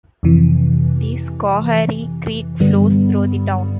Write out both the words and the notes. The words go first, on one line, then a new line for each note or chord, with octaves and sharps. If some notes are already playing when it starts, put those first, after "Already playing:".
The Schoharie Creek flows through the town.
F2 C3 E3
G2 D3 G3 B3